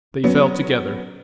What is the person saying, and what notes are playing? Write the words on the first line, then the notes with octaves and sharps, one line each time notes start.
They fell together....
F#3 B3 C#4